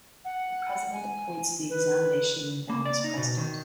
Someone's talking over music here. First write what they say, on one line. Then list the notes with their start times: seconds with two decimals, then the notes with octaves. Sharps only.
The President appoints the Examination Yuan's President.
0.25 F#5
0.93 G#5
1.70 B4
2.70 A#3
2.86 D5
3.04 D#4
3.18 B2
3.37 D#3